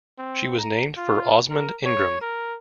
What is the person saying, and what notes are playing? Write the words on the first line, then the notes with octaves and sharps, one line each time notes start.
She was named for Osmond Ingram.
C4
A#5
F4
A#4
C#5
A#4